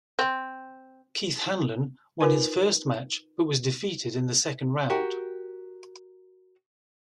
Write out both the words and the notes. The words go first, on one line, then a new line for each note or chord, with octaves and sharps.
Keith Hanlon won his first match, but was defeated in the second round.
C4
D#4 F4 A#4 B4 G#5
F#4 G4 A#4